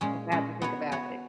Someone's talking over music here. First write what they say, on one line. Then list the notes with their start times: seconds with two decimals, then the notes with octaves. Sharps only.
I've to think about it.
0.01 A#2 G#3 C#4
0.32 A#2 G#3 C#4
0.62 B3 F#4 C#5
0.92 B3 F#4 C#5